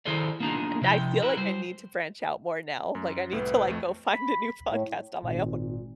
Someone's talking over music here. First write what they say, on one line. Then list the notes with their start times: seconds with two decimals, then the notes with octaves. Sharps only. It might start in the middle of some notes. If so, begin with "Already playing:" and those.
And I feel like I need to branch out more now, like, I need to like, go find a new podcast on my own.
0.05 D#3 E4 G#4 A4 C5 D5
0.40 A#3 B3 D4 D#4 F4 G#4
0.82 C3 F3 E4 G5
1.22 E4 F#4 A#4 B4
1.37 G3 C5
2.95 F#2
3.32 C2 A2 B4
3.68 F2 A3
4.12 B5
4.69 A2
5.24 G#1 A#2